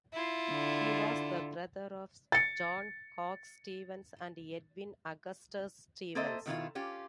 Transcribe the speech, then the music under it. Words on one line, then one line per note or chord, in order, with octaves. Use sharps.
He was the brother of John Cox Stevens and Edwin Augustus Stevens.
E4 F4
D3
A6 C#7
A#3 C4 A4 C5 D#5 E5
B2 D#3 E4 F4
C#4 F4 G4